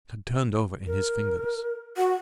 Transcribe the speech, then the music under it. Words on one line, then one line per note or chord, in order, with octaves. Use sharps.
It had turned over in his fingers.
A#4
F#4 F#5